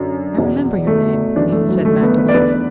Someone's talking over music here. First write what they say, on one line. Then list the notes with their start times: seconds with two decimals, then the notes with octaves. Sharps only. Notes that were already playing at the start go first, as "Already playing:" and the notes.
"I remember your name," said Magdalen.
Already playing: F#2 D3
0.38 E2 B2
0.87 A3
1.36 F#2 E3 D4
1.52 A3
1.69 F#3
1.85 A3
2.02 B3
2.18 B4
2.28 D5
2.33 E2 D3 B4